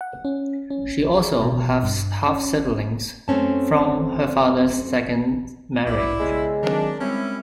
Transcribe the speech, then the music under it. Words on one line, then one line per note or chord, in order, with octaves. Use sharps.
She also has half-siblings from her father's second marriage.
F#5
C#4
C#4
G#4
B2
G2
C#4
F#2 A3 C4 C#4 A5
B1 D4 E4 G4 D5
C#3 G#3 B3 C4
D#3 F#3 C4 D4 D#4 A#4
G3 G#3 C4 C#4 E4 G4